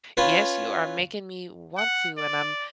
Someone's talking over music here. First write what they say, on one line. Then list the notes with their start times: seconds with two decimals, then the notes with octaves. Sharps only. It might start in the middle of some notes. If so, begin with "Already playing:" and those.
Yes, you are making me want to, and I'm
0.17 C#4 F4 B4
1.77 F#5
2.18 D5